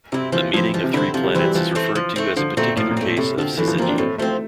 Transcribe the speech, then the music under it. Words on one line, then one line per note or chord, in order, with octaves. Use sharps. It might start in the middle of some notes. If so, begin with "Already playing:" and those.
The meeting of three planets is referred to as a particular case of syzygy.
C3 C4 E4
E3 F3
F3 C4 E4
E3 F3
C3
D3 C4 E4
C3 F3
G3
E3 C4 E4
G3
E3 F3
A3 C4
F3
A3 C4
D3 F3
A#2 A3 C4
A2 F3
A#2
A3 C4
A2 C3
D3 F3 C4
A2 E3
F3
F3 A#3 C4
D4
A2 C4
F3 A3 C4